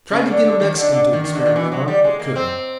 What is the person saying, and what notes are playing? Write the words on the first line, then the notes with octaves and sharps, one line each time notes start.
I tried to get a Mexican to experiment on, but couldn't.
C#3
D3
D3
D#3
D3
D3
D#3
D#3
D3
D#3
E3
F#3
G3
G#3
A#3
C4